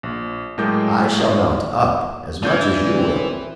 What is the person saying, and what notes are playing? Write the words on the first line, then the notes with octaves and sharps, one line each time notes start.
"I shall mount up as much as you will."
A#1
A2 F#3 G#3 A#4 D6 G6
E3 C#4 D4 F4 D5 G6 G#6
C4